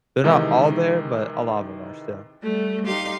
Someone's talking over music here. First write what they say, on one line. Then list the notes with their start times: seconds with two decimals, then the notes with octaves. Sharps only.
They’re not all there, but a lot of them are still.
0.24 C3 D#3 E3 G#3 D#4
2.43 G3 A3
2.87 D#4 G4 F5 C6